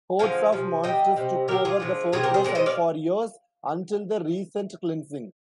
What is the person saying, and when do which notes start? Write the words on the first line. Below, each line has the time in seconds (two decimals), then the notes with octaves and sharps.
Hordes of monsters took over the fortress and for years until the recent cleansing.
0.19 D3 F3 G#3 F5 G#5
0.52 C3 F3
0.84 D3 G3 D#5 G5
1.16 C3 G3
1.48 D3 G3 G4 A#4
1.65 F4 G#4
1.80 D3 F3 G#3
2.12 C3 G3 F4 G#4
2.23 G4 A#4
2.34 G#4 C5
2.44 D3 G#3 A#4 D5
2.55 C5 D#5
2.66 D5 F5